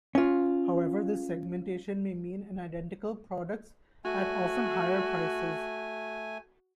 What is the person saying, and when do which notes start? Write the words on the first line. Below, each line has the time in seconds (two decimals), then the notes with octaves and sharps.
However this segmentation may mean an identical products at often higher prices.
0.15 C#4 F4
4.05 A3 F#4 G#5